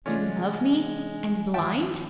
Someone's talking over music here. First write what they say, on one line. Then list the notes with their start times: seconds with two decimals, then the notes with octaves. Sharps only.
'You love me, and blind?'
0.06 C3 E3 G#3 C#4 D4 F4
1.54 G2 D#3 F3 E5 G5 A5